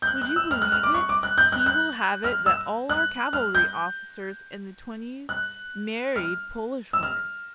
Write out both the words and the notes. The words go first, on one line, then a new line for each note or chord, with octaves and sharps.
Would you believe it, he will have it that all our cavalry officers in the twenties married Polish women.
G6
F#6
F#6
E6
F6
F#6
F6
D6
C#6
D6
F#6
G6
F#6
F#6
F6
E6
F#6
F6
G6
F#6
F6
E6
F6